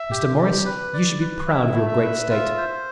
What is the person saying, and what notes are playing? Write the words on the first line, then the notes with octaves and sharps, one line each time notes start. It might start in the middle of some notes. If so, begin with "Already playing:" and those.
Mr. Morris, you should be proud of your great state.
Already playing: E5
G4
G4
B4
D5
B4
E4 E5
A3
E5
B4
F4 E5
C5